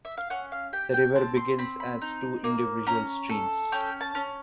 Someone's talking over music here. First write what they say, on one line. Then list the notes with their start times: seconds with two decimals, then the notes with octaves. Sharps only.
The river begins as two individual streams.
0.05 E5
0.17 F5
0.30 C#4 F#5
0.52 F5
0.73 G4 G5
0.94 G5
1.15 C4 A5
1.37 C6
1.59 C4 B5
1.80 B5
2.02 D#4
2.44 A#3
2.87 C#4 A#5
3.30 A4
3.72 C#4 G5
4.01 A5
4.15 C#4